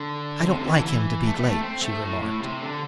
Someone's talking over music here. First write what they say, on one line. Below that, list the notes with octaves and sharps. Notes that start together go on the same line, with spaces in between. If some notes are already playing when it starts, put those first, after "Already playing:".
"I don't like him to be late," she remarked.
Already playing: D3
C3
D3
E3
D3
E3
A3
G3
A3
C4
A3
A2
A2
C3
D3